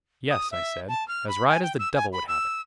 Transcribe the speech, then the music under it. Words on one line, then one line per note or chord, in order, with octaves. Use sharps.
"Yes," I said, "as right as the devil would have it."
D#6
E5
A5
F6
B5
G#5
G5
E6
G#5
B5
E6